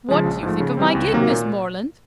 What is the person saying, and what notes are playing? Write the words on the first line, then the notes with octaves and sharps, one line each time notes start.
What do you think of my gig, Miss Morland?
C#3 F3 G#3
A#1
G#2 F3 A3
C#3
E3 G3 C4
C#2
C3 D#3 F#3 A#3
A#2